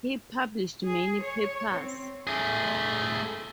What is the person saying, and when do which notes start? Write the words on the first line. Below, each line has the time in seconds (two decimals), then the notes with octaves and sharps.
He published many papers.
0.85 G#4
1.19 C#5
1.73 C4
2.27 A3 G#4